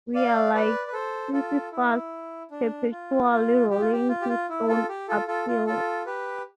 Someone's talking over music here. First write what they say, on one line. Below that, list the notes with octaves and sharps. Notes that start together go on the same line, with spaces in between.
We are like Sisyphus perpetually rolling his stone uphill.
D5 F5
B4 D5
B4
A4 C5
F4 A4
E4
D4
F4
F4
G4
F4
G4
F4
G4
F4
E4
F4 A4
G4
F4 A4
F4 A4
F4
F4 A4
G4 B4